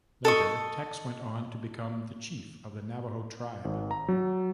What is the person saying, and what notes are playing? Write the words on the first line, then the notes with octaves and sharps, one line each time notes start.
Later, Tex himself went on to become the Chief of the Navajo tribe.
A4 D#5 C#6
G#1
A#5
F#3